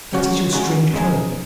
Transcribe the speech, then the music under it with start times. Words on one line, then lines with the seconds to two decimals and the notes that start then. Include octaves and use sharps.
That is your strange code.
0.13 C#3 F#3 C#4 F#4
0.53 C#3 G#3 D#4 F#4
0.93 E2 C#3 G#3 D#4 G#4